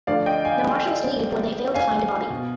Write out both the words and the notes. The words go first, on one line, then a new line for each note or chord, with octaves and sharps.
The Marshals leave when they fail to find Bobby.
D2 D3 F3 D5 F5
D#5 G5
F5 G#5
F5 G#5
B2